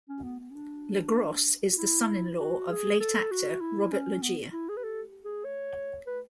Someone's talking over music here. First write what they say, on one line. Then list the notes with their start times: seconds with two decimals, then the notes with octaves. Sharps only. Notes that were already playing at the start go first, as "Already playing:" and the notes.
LeGros is the son-in-law of late actor Robert Loggia.
0.09 C#4
0.24 B3
0.40 B3
0.51 C#4
0.55 D4
1.73 F#4
1.77 E4
2.39 F#4
2.69 G#4
3.00 A4
3.31 F#4
3.61 E4
3.92 C#4
4.22 B3
4.52 E4
4.69 G#4
4.77 B4
4.83 A4
5.25 G#4
5.45 C#5
6.07 B4